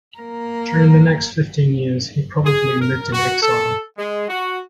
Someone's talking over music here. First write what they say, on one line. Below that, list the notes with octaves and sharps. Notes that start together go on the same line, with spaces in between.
During the next fifteen years he probably lived in exile.
A#3 A#4
G#4
A#4
F#4
A4
G#3
F#4